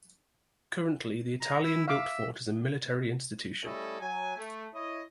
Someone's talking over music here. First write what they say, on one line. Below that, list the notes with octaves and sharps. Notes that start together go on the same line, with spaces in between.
Currently the Italian-built fort is a military institution.
A#5
E4
E5 F5 D6
G3 A3 C#4 E4 A4 D#5
F#3 G#5
A3
E4 C#5 D#5